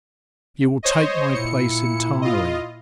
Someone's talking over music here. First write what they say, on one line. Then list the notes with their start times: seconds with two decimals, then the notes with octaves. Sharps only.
You will take my place entirely.
0.83 C5 C#5 D#5
1.34 A#2 E4 C#7
2.22 F4 D#5